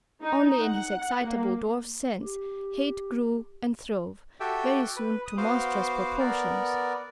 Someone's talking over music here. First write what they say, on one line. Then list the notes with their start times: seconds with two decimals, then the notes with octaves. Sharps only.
Only in his excitable dwarf's sense hate grew and throve, very soon to monstrous proportions.
0.23 D#4
0.60 F#5
1.23 A#3
2.23 G4
4.40 F#4 G4 A4 E5 G5
4.97 B4
5.26 D#6
5.38 B3 F#4 C5 F5 C6 D6
6.20 B3 A#4 D5